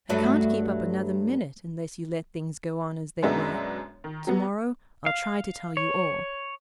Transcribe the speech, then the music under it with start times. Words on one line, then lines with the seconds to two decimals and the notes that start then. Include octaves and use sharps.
I can't keep up another minute unless you let things go on as they were. Tomorrow I'll try to tell you all.
0.09 G2 F#3 A3
3.23 F#2 B2 G#3 B3 D4 E5
4.04 D#3
4.27 F#3 G3 B3
5.06 F5
5.77 C#5